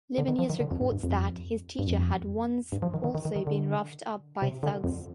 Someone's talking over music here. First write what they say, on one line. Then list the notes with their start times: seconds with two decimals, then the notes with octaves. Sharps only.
Libanius records that his teacher had once also been roughed up by thugs.
0.18 D3
0.28 D#3
0.39 F3
0.50 D#3
0.60 D3
0.71 F2
0.81 G2
0.92 G2
1.03 F2
1.79 G2
1.87 F2
2.72 G2
2.82 F3
2.94 D#3
3.04 D#3
3.15 D#3
3.25 D#3
3.36 D#3
3.47 D3
4.42 C3
4.63 D3
4.84 F2